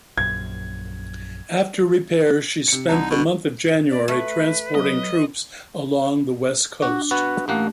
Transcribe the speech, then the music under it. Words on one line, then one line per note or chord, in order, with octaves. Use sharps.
After repairs, she spent the month of January transporting troops along the west coast.
A#1 F#2 G#6
C3 C#7
C2 D#4 A5
B2
D5
A3 B4
F#3 D#5
D4 F#4
B3 F#4 B4
A1 A3 A#3 G4 F#5